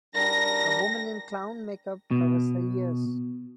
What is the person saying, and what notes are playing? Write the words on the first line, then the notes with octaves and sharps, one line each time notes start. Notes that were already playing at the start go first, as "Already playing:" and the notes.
A woman in clown makeup covers her ears.
G3 D4 A#4 A#6
B2